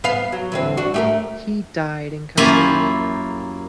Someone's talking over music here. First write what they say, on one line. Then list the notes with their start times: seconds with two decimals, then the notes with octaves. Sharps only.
He died in custody.
0.04 B3 F5
0.32 F#3
0.52 E2 D3 C4
0.77 D4 F#4
0.94 A3 G4 A#4
2.37 F#2 A#3 E4 F4 G4 G#5